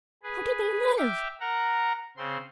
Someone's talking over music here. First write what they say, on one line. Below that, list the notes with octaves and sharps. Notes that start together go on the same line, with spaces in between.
How do they live?
G#4 B4
E5 G5 D6 F6
A#4 F#5 A#5
C#3 C4 C6